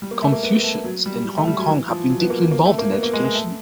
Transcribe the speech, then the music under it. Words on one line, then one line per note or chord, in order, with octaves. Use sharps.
Confucians in Hong Kong have been deeply involved in education.
G3
A#3
A3
A#3
B3
A3
F#3
G3
A3
G3
F#3
E3
F3
F#3
B3
A#3
A#3
A3
A#3
B3
A#3
G#3
G#3
A3